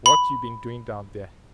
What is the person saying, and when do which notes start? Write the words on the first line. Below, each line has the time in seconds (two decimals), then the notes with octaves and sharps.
"What you been doing down there?"
0.06 B5